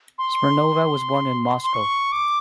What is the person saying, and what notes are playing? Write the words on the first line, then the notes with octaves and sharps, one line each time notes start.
Smirnova was born in Moscow.
C6
C6
C#6
D6